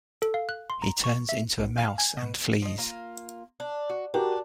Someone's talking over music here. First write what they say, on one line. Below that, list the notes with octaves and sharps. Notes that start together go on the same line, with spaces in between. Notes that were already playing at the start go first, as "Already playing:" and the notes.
He turns into a mouse and flees.
A4
F5
F#6
C6
A#5
C#6
E5
B1
F5
G#5
B2
F3 D#5
A#3 F4
D4
F#4
D4 F#4 G4 A#4